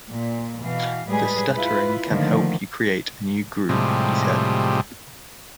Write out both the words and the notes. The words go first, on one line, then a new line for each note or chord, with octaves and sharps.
The stuttering can help you create a new groove, he said.
A#2
B2 E3 F5
A2 G3 G#3 G#4 B4
E4 F4 B4
D3 D#3 F3 A3 A#3
A2 C3 F3 G3 G#3